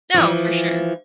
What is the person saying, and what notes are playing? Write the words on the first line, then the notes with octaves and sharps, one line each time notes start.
No, for sure.
E3 F3